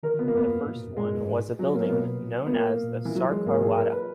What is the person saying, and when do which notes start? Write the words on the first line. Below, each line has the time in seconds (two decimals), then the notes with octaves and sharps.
The first one was a building known as the Sarkar Wada.
0.03 D#3 A#4
0.14 D#3
0.19 B3
0.23 C#3
0.28 A#3
0.34 F#2 B3
0.45 E2
0.55 F#2
0.66 G#2
0.75 A#2
0.87 F#2
0.97 A#2 G#3
1.04 G#2
1.12 F#2
1.21 G#2
1.59 F#3
1.74 A#3
1.85 A#3
1.89 B2 B3
2.46 B3
2.52 A#3
2.83 A#2
3.05 E3
3.15 F#3
3.31 G#3
3.46 G#2 A#3
3.61 G#4
3.76 A#4
3.93 B4